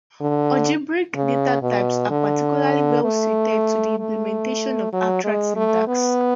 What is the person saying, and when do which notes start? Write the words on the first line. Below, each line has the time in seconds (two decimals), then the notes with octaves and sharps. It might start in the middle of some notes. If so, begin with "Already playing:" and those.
Algebraic data types are particularly well-suited to the implementation of abstract syntax.
0.21 D3
1.15 C#3
1.62 B2
2.10 D3
3.04 A3
3.99 A3
4.93 F#3
5.24 G#3
5.56 A3
5.88 B3